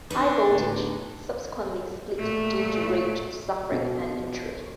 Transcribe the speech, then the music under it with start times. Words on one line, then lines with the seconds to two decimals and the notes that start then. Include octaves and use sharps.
High Voltage subsequently split due to Rage suffering an injury.
0.11 D4 D#4 B4
0.50 A2 D3 B3
2.19 A#2 A3
3.72 B2